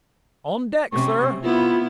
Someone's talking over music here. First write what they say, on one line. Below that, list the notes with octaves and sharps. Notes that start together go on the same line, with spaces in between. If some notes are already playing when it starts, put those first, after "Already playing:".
"On deck, sir."
C3 C#4 C#6
B3 E4 F4